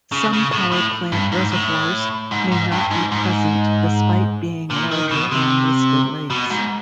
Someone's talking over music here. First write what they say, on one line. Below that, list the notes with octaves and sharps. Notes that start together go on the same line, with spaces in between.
Some power plant reservoirs may not be present despite being larger than listed lakes.
C#3
C#3
A2
A2
G2
G#2
A2
G#2
G#2
G2
G#2
G#2
A#2
D#3
B2
C3
B2
G#2